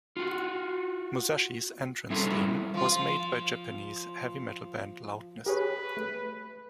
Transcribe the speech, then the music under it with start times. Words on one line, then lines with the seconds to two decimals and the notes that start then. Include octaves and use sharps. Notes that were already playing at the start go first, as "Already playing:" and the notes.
Musashi's entrance theme was made by Japanese heavy metal band Loudness.
0.17 F4 F#4
2.10 G3 C#4 E4 F4 A4
2.74 F3 F4
5.46 G4 G#4 B4 C#5
5.97 A3